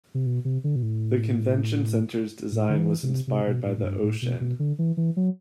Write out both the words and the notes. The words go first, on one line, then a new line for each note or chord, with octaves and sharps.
The Convention Center's design was inspired by the ocean.
C3
B2
C3
D3
B2
A2
A2
D3
E3
C3
C3
B2
A2
A2
G2
A2
B2
B2
D3
E3
E3
F#3